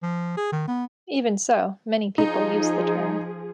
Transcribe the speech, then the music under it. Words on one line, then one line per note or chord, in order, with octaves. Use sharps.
Even so, many people use the term.
F3
G#4
D#3
B3
F3 D#4 G#4